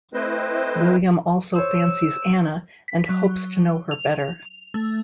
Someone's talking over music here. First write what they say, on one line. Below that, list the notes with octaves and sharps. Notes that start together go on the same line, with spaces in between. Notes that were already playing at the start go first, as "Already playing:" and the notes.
William also fancies Anna and hopes to know her better.
A3 C4 E4 B4 C5 D#5
C5 C#5 E6
B6
F#3
F7
A3